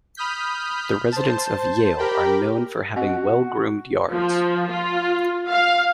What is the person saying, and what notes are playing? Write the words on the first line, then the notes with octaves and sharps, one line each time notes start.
The residents of Yale are known for having well-groomed yards.
B5 D#6 F6 G6 B6
C5 A5
G4 A#4 G5 B5
C4 F#4 D#5 F#5
F3
F4
F5